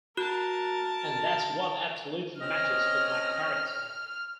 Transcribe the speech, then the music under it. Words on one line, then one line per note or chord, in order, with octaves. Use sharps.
And that's what absolutely matches with my character.
F#4 A#4 A5 F#6
C4 C#4 D#5 F6